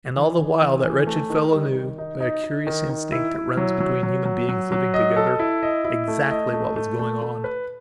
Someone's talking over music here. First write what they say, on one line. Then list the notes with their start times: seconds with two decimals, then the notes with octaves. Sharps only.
And, all the while, that wretched fellow knew--by a curious instinct that runs between human beings living together--exactly what was going on.
0.16 E3
0.39 E3
0.62 E3
0.84 E3
1.07 A3
1.30 D#3
1.53 G3
1.75 D#3
1.98 D#4
2.20 D#4
2.44 D#4
2.67 D#3
2.89 D#3
3.12 E4
3.34 E4
3.57 F#3
3.80 F#3
4.03 F#3
4.25 F#3
4.49 F#3
4.72 F#3
4.94 D#5
5.16 A4
5.39 E4
5.63 D#5
5.85 E4
6.08 A3
6.30 D#5
6.53 A3
6.76 A3
6.99 A3
7.22 A3
7.44 B4